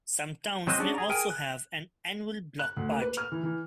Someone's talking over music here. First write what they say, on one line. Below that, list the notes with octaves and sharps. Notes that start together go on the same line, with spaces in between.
Some towns may also have an annual block party.
F#3 C4 C5 D#5 F#6
C#4 D4 F#4 G#4 D5
G#4 A#5
G#4 A#4 G5 G#5
F#6
F#6
D2
A#3
B4
F6
E3
E3